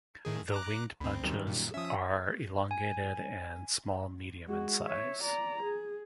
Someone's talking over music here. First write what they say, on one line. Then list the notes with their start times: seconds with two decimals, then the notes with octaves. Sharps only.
The winged bunches are elongated and small-medium in size.
0.25 A2 D#3 G#4
0.52 A#5 D6 F#6
1.00 D2 C4 B5
1.23 F#2 D#3 G3
1.47 A#2
1.74 F3 C#4 E5 D#6
2.71 G#5
4.48 G#3 F#4
4.87 C#5 E5
5.23 D5 A#5
5.63 G#4